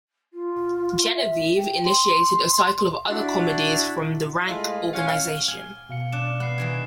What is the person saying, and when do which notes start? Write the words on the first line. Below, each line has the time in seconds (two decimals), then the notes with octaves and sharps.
"Genevieve" initiated a cycle of other comedies from the Rank Organisation.
0.33 F4
1.13 E5
1.57 G5
1.84 C6
3.09 D4 E4 F#4
4.48 G#3 A3 E4 F4 D#5 F5
4.94 C#4 F5 F#5
5.48 G#5 F6
5.89 B2 F5 C#7
6.12 D4 F#6 E7
6.40 B3 F#6 C7
6.58 D#3 E3 G#4